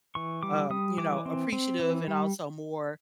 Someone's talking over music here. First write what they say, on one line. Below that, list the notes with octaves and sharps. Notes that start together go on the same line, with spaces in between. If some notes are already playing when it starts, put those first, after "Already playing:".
um, you know, appreciative and also more,
E3 C#6
G3 D6
G3 D#6
E3 D6
C4
C4
E3
G3